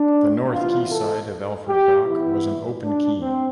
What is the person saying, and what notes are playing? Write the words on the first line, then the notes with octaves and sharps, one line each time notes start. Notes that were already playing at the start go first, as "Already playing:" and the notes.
The north quayside of Alfred Dock was an open quay.
Already playing: D4
C3 E3 B3 F4
A4
G4
E3 B3 E4
D4
C4